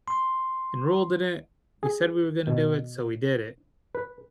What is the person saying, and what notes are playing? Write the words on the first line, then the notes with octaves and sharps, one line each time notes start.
enrolled in it, we said we were gonna do it, so we did it.
C6
G#4
B2
B4